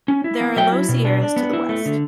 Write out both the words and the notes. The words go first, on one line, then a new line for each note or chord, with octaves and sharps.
There are low sierras to the west.
C#4
E4
B3
F#3 E5 G5
E4
B2
D4
D4
B3
E4
A3
D3